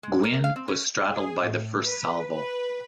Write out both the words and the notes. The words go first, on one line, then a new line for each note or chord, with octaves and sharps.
"Gwin" was straddled by the first salvo.
G#3
A#4
F5
C4
C#4
G#4
A2
B4
B4